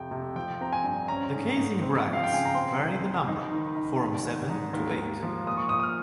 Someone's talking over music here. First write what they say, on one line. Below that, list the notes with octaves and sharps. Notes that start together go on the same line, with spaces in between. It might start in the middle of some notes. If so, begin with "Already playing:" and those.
The casing bracts vary the number, form seven to eight.
Already playing: F2 C3 G5
C3
F3 G5
C4 A#5
G#5
G2
C#4 A#5
G#2
G#2
C4
F3
F5
G5
C#3 G#5
A#5
C4 C6
C2
C4
D#4
D#3
D#4
G#1
G#1
G#2
D#2
D#2
F3
A#2 D#6
C#6
D#6
A#2
D#6
F6